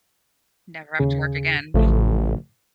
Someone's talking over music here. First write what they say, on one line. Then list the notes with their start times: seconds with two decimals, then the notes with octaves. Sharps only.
Never have to work again.
0.99 D#2 C#3 G#4
1.74 A1 C#3 F3 A3